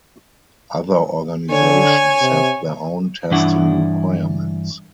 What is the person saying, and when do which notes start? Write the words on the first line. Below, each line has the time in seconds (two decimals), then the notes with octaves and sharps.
Other organizations have their own testing requirements.
1.50 D3 C#5 G#5
2.21 C3
3.31 G2 E3 D4 E4 F#5